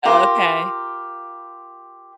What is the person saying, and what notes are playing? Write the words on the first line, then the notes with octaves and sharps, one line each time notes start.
Oh, okay.
F4 G4 A#4